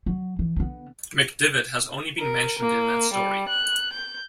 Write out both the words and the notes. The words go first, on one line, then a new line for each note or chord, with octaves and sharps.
McDivot has only been mentioned in that story.
F#3
E3
D3 B3
A#4
A#3
G3
F#6
G6